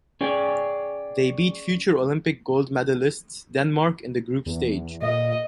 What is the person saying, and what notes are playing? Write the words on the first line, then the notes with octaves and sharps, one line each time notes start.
They beat future Olympic gold medalists Denmark in the group stage.
C#4 G#4 C#5 D5 G5 G#5
E2
A#2 D#5